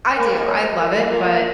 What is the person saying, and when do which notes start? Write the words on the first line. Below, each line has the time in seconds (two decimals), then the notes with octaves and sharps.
I do, I love it, but
0.16 A#3 G#5
0.32 G5
0.46 C#5
0.62 C5
0.78 A#4
0.93 A4
1.08 A#3 F4